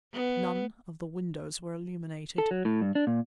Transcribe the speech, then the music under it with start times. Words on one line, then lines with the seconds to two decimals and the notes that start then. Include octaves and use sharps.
None of the windows were illuminated.
0.13 B3
2.38 A4
2.51 F#3
2.65 A2
2.81 G2
2.95 D4
3.07 A#2